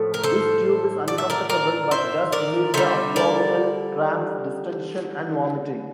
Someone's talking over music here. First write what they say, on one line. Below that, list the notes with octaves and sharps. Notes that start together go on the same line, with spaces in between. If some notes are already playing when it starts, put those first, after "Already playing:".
This tube is uncomfortable but does relieve the abdominal cramps, distention, and vomiting.
Already playing: A2 F3 A3
A#4
A4 C5
D5
E5
A#4 D5
A#4 D5
C5 E5
A#4 D5
D3 G3 C5 E5
A#4 D5